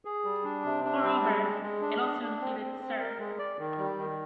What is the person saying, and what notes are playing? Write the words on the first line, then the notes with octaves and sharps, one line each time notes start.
Moreover, it also included cir.
G#4
G3
D4
C3
D4
G3
G#3
G#3
G#3
D4
D4
D4
C4
C4
C4
A#4
G#3
D5
D#3
G3
D#3